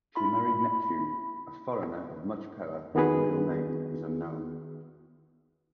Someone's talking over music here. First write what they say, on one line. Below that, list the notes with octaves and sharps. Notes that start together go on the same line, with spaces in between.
She married Neptune, a foreigner of much power whose real name is unknown.
E4 B5 C6
D#3 B3 F#4 G#4 B4